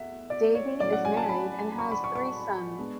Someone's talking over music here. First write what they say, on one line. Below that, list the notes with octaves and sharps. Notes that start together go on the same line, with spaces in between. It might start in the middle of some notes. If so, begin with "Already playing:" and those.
Davie is married and has three sons.
Already playing: E2 A3 E5 F#5
D5
C#5
A2 F#3 C#4 D5
F#5
G#5
A5
B5
C#6
B5
C#6
C#6
G#3 B3 D4